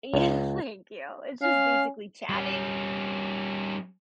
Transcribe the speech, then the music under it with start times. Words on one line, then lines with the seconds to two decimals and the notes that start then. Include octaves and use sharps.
Yeah, thank you. It's just basically chatting,
0.14 C#2
1.42 C#4 F5
2.29 G3 C#4